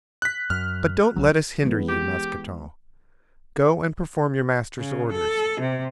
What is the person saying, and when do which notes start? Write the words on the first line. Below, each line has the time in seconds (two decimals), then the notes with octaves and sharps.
But don't let us hinder you, Mousqueton; go and perform your master's orders.
0.22 F#6 B6
0.50 F#2 F6
1.16 B1 F#3
1.62 E3 G#3 B3
1.86 G4
4.78 C#3
5.10 A4
5.60 C3